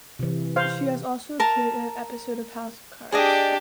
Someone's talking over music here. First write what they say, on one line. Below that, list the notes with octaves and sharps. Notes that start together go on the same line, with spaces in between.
She has also appeared in an episode of "House of Cards".
C3 E3
C5 F5
A#4 A5 A#5
D4 G4 G#4 D5 D#5